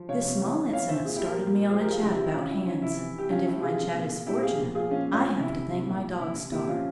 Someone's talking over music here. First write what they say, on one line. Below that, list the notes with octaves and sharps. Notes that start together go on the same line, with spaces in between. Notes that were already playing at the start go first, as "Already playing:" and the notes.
This small incident started me on a chat about hands, and if my chat is fortunate I have to thank my dog-star.
Already playing: F3
C3 C#5 F5
C3
E3
E3
E3 C#5 F5
C3 C5 E5
A#2 F4 G#4
E4 G4
A#2
G4 A#4
A#2
A#2
F3 G#4 C5
G4 A#4
F3
F4 G#4
C3 E4 G4
E4 G4
F3
E4
C3 C#4 F4
F3 E4
F3 C#4
C3 E4
E3
C3 G4
F3 C#4 F4
F3 E4 G4
C3 F4 G#4
C3
A#2
A#2
A#2 E4 G4
F3 F4 G#4
A#2
F3 F4 G#4
A#2 C#4 F4
A#2
C#4 F4
F3 C#4
C3 E4
C3
C3
A#2
A#2
C3 E4
C3
A#2 E4 G4
F3 C#4 F4